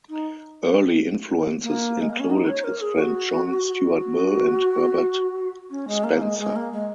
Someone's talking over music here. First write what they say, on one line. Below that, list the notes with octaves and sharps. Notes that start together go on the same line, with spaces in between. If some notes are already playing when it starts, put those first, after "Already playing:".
Early influences included his friend John Stuart Mill and Herbert Spencer.
D#4
A#3
G#3
A#3
C#4
D#4
C#5
A#4
G#4
F#4
F#4
C#4
G#3
A#3
G#3
G#3
A#3
G#3